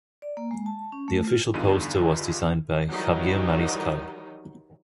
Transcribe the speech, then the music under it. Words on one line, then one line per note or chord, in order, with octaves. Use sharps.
The official poster was designed by Javier Mariscal.
D5
A#3
G#3
A5
C#4
A3
F4
E2 G2 D3 D#4 F4 D#7
D#3 E3 F#3 G3 D#4